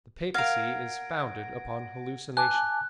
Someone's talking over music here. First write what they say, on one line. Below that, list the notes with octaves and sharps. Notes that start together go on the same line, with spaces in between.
The papacy is founded upon hallucinations.
A#4 F5 F#5 G#6 A#6 D7
G#5 A5 D6 F#6